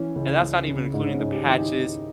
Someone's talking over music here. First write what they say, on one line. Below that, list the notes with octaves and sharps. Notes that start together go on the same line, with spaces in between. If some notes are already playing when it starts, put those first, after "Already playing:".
And that's not even including the patches
Already playing: E3 C#4
C#2
C#2
C#3
G#2 D#4
C#4
G#2 D#4
G4
D#3 E4
D#4